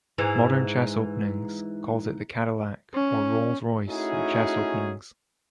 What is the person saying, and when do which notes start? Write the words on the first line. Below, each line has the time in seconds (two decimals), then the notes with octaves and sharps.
"Modern Chess Openings" calls it the "Cadillac" or "Rolls Royce" of chess openings.
0.18 G#2 E3
2.94 C#4
3.89 A3 C#4 D#4 E4 F#4 G#4